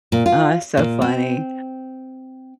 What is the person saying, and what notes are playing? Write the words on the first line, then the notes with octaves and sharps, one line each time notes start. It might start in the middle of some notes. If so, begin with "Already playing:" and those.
Oh, that's so funny,
A#2
F4
A#2
C4